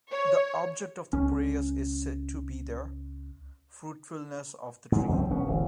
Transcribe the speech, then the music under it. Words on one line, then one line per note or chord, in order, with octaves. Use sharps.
The object of the prayers is said to be the fruitfulness of the tree.
C#5
C#2 C#4
G#2
C#2 F#2 F3 C4
E1 B3 C#4
D1 A1